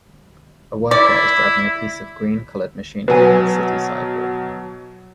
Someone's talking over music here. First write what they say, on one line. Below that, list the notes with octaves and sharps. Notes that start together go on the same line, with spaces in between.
A worker is driving a piece of green colored machinery on a city sidewalk.
E4 D5
B2 F#3 B4 G#5